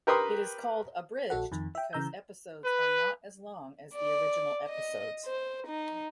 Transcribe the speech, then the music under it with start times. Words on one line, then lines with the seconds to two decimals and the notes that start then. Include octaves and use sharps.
It is called "Abridged" because episodes are not as long as the original episodes.
0.07 G4 A#4 B4 C6 D#6
1.30 A#1 F#4 A4 F#5
1.52 F2 D#3
1.75 E5 G5
1.93 C#3 E3 A#5 E6 G6
2.65 B4
3.95 D5
4.69 D#5
5.25 C5
5.67 D#4